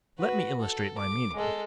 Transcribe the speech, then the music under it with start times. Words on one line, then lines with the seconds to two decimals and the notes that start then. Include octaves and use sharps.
Let me illustrate my meaning.
0.19 F#4 B4
0.61 A4
0.98 D6
1.35 G#3 A4